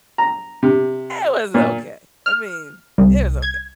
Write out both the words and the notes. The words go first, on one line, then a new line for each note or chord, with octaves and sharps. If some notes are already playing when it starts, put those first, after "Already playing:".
It was okay, I mean, it was okay,
A#5
C3
A#2
F6
C2
G#6